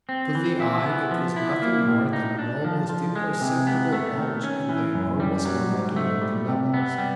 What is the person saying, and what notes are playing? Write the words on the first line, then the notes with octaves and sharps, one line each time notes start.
To the eye it was nothing more than an almost imperceptible bulge in the enormous monotony of the levels.
C4
E3
E4
B3
F3
E4
A#3
A2
D#4
D4
F3
F3
G#3
C3
B3
A3
D#3
C#4
E3
F#2
G3
F#3
G#2
A3
G3
C3
B3
G3